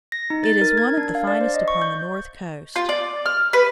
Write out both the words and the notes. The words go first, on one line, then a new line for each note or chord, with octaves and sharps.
It is one of the finest upon the north coast.
A#6
D#4
A6
A#4
G#6
D4
F5
D5
C5
D#5
C#6
G6
F4
D5
F6
B4